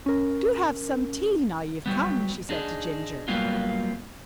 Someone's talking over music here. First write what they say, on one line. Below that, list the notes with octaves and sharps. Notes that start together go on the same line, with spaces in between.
"Do have some tea now you've come," she said to Ginger.
C#4 A#4
F#3 G3 B3
D4 D#4 G#4
F#3 G3 A#3 B3 F4